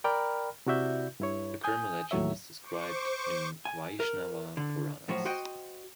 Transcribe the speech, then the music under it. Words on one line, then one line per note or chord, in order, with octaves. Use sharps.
The Kurma legend is described in Vaishnava Puranas.
A#4 D5 G5 A#5 B5 F6
C3 E4 F#4 D5 E5 G6
G2 E4 C#5
G#5 D#6 G6
D#2 A2 F#3 C#5 E5
C5 C#6 D6
G#5
A#4
D3
A2 F3 F#3 F#4
F#4 C5 D#5 G5